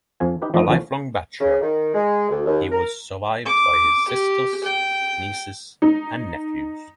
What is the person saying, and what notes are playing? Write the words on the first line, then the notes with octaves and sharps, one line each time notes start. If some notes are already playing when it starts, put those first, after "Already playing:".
A lifelong bachelor, he was survived by his sisters, nieces and nephews.
F2 F3 G#5
D#4 G4 B4
F3 A3 D4 D#4 D#5
D#2 D3 F3 C#4
C#3
D#3
G#3
D2
D#2
A#4
D6
G4
G5
D#4